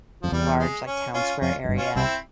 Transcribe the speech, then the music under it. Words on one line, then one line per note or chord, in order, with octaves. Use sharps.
large, like, town square area
F2 F3
E2 G3
G#3
C#4
C#4 F4
F2 C#4 F4
F2
G1 G2
C#4 F4
C2 C3 C4 E4